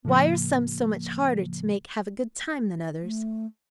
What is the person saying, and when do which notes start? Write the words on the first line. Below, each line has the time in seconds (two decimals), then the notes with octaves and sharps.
Why are some so much harder to make have a good time than others?
0.05 A2 C#3 F3 A#3
3.03 A3